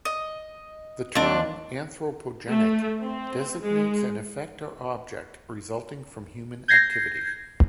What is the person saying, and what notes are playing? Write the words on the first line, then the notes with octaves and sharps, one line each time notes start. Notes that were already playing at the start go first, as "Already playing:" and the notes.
The term "anthropogenic" designates an effect or object resulting from human activity.
D#5
D#2 C4 D4
A3
C4
G#3
G6 G#6 A#6 C7